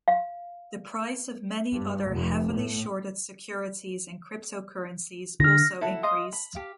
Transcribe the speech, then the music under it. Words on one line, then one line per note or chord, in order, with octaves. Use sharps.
The price of many other heavily shorted securities and cryptocurrencies also increased.
F5
G2
F1
A2
D3 F6 A#6
E4 F#4 A4 F#5
D#5 F5 C6 D#6
B5
G4 F5